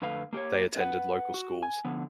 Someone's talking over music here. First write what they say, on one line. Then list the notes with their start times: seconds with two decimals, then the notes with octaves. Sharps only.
They attended local schools.
0.02 F2 D3 A3 B4 F5
0.33 A#3 G4 C5 C#5
0.78 B4 F#5
1.34 F#4
1.63 G#5
1.85 D3 F3 B3